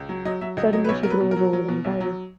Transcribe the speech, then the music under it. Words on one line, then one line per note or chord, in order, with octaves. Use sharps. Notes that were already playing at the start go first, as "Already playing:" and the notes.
Suddenly she grows old and dies.
Already playing: C#2
F#3
F#3 D#5
F#3 E5
C#2 D#5
F#3 D#5
B4
B1 C#5
F#3 A#4
B4
B2
A#4
F#3
F#3
B2
B1
F#3